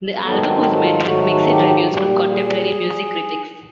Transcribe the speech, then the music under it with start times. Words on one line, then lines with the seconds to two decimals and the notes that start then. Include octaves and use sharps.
The album was met with mixed reviews from contemporary music critics.
0.22 G#2 D#3 F#3 A3 B3
0.50 C4
0.77 F4
1.05 G#2 D#3 F#3 A3 F#4
1.47 G4
1.89 A#2 G3 G4
2.29 G#4